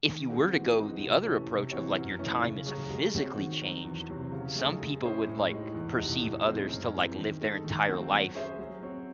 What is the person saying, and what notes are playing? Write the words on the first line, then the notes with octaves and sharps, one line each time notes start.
if you were to go the other approach of, like, your time is physically changed, some people would, like, perceive others to, like, live their entire life.
D#3
G#3 C4 F#4
E3
G#3 C4 D#4 F#4
C3
E3 A3 C#4
C3
E3 C4 F#4 C#5
F#2
E3 A3 C#4
C#3
F#3 C#4 G#4
G#3
C4 F#4 C#5
D#3
F#3 C4
E2
C3 F#3 C4
C#3
F#3 A3 D#4 G#4
G#3
C#4 E4 G#4 C5
A2
G#3 D#4
E2
C3 E3 A3 D#4
A2
E3 G#3 C4 D#4
F#2
E3 G#3 C4
D#3
G#3 D#4 A4
D#3
F#3 A3 C4 F#4
F#3
C#4 G#4 C5 E5
F#3
C4 F#4 C#5